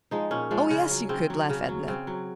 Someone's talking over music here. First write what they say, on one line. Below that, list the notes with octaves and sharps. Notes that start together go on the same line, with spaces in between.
"Oh, yes you could!" laughed Edna.
F3 G#3 D#4
A#2 C#4
F3 G#3
C#3
F#3
C#3 C4
F#3
C#3
F#3
C#3 C4
F#3